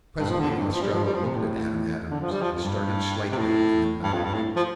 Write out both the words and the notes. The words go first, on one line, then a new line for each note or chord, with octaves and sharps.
Presently Ostrello looked at Adam Adams and started slightly and then bowed.
G2
F3
D3
A2
F2
G2
F3
G3
F3
G3
F3
C3
A2
D3
F3
G3
F3
F2
G2
C3
A2
G2
F2
G2
A2
F3